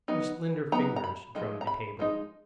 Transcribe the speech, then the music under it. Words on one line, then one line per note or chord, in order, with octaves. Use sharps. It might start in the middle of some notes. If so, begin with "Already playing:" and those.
Her slender fingers drummed the table.
F#3 B3 D#4
F#3 B3 D#4 A#5
A#5
B5
F3 G#3 D#4
A#5
B5
F3 G#3 D#4